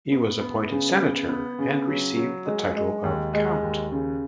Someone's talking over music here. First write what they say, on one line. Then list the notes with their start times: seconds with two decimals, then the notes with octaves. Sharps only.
He was appointed senator and received the title of count.
0.12 B3
0.41 B3
0.71 C#3
1.00 B3
1.29 B3
1.59 C#3
1.87 F#3
2.16 F#3
2.46 G#3
2.75 G#3
3.03 D#2
3.33 G#3
3.63 D#2
3.91 C#3